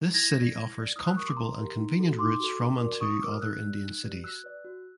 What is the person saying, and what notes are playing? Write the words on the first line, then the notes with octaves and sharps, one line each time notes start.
This city offers comfortable and convenient routes from and to other Indian cities.
E4 G#6 A#6
A4 D5
E4
A4 D5
E4 D#6 F6
E6 F#6
G4 A#4 C#6 D#6
C6 D6
E4 A#5 C6
G4 A#4
D#4
F#4 A4
D#4 C6 D6
F#4 A4
D4
F#4 A#4 D5
D4 C#6 D#6
C#6 D#6
F#4 A#4 D5 D6 E6
D#6 F6
D#4 E6 F#6
G4 B4 D5
D#4
G4 B4 D5
F#4 E6 F#6
B4 D5
F#4